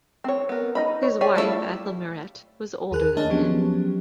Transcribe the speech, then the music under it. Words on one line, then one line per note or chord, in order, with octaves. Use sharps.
His wife Ethel Mairet was older than him.
C4 C#5
B3 A#4
D#4 D#5 B5
C#5
G4 G#4 C#5 D5 G#5
G3 A3 B3 E4 F4
D#2 G#4 A#4 F#6
A#3 D4 G#4 C#5 D#5 A5
F3 F#3 B3 C#4 G4